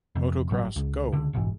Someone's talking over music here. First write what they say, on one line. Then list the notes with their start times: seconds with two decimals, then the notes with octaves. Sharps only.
Motocross Go!
0.15 F2 C3
0.50 G1 A2 F#3
0.76 C#2
1.12 C#2 D3
1.33 F#1 B1 G#2 E3